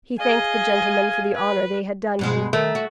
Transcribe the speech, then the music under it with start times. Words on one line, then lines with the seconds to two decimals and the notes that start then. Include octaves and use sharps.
He thanked the gentlemen for the honor they had done him.
0.20 G#4 D#5 F5 G#5
1.35 B4
2.19 G2 B2 G#3
2.53 D#3 A3 A#4
2.75 F#4